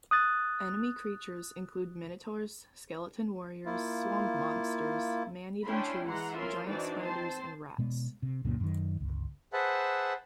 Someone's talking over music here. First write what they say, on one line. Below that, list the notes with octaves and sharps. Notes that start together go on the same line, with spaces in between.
Enemy creatures include minotaurs, skeleton warriors, swamp monsters, man-eating trees, giant spiders and rats.
D#6 F#6 A6
A#3 E4 F4
C#4 D4 E4 G5 B5 C6
E3 G#3 F#5 A#5 C6
C#4 F4 A#4 E5 C6
E3 D4 D#4 F#4 C5 D5
C4 C5 A5 C6
B2 G#3 B3
C3
C#2 F#2 A#2 C#3
F#2 D#3
G1 C#2
G#4 B4 C5 E5 F#5 A5